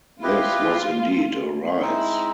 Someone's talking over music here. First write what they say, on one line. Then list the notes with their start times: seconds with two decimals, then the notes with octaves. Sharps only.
This was indeed a rise.
0.22 E4 F4 G4 B4 D#5
1.79 G#3 C4 D#4 E4